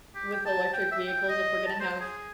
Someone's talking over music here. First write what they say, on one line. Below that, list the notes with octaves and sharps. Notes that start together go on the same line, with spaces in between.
with electric vehicles if we're gonna have
G4
G5
A5
G5
E5
G5
D#5
A5
C5
G#4